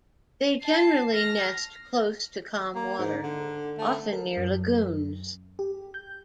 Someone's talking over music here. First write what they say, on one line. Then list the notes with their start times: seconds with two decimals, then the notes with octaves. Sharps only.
They generally nest close to calm water, often near lagoons.
0.62 A5 C7
1.13 F6 A#6
2.75 A#3
2.98 G#2
3.23 D3
3.78 A3
4.13 A#4
4.37 F#2
5.59 G4
5.94 G6